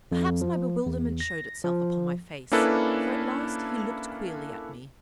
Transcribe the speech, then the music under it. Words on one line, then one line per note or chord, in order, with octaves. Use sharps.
Perhaps my bewilderment showed itself upon my face, for at last he looked queerly at me.
F2
F3
E2
A#6
F3
A#3 C#4 D4 E4 A4 B4